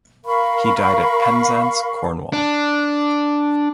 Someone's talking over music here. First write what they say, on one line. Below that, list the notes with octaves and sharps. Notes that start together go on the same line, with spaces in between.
He died at Penzance, Cornwall.
A#4 F5 B5 C#6
D4